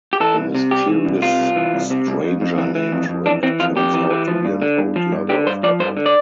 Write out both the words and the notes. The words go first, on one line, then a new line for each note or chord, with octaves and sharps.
A mysterious stranger named Rick turns out to be an old lover of Apple.
G4
E3 A4
C2
C3
C2 G4
E3
C2
C3 F4
C2
E3
C2
C3
C2
F2
F2
E3
E3
F2
F2
E3 D4
E3 C4
F2 F4
F2 G4
E3
E3
F3
G2
D3
G2
F3
G2
D3 G4
G2 C5
F3 D5
G2 C5
D3
D5